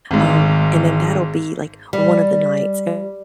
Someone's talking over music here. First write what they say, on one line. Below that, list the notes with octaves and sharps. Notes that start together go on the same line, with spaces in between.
um, and then that'll be like one of the nights. And
G#1 G#2
G3